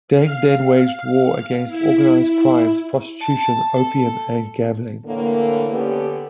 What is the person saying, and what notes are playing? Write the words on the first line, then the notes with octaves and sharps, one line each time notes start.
Deng then waged war against organized crimes, prostitution, opium and gambling.
F5
F5
E4
E4
A5
A4
A2 D3 E3 A#3
D3 B3 C#4 G4 B4